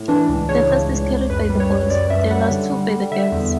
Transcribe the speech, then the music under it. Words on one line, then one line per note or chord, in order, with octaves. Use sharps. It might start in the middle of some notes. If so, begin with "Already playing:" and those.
The first is carried by the boys, the last two by the girls.
Already playing: A2
E3 D4
C#2
C#3 C#5
C#3
C#2
C#2
F#2 B4
G3
C#5
F#2
F#2 D5
F#2 E5
G3 F#5
D3
G3
G3
D3 E5
E2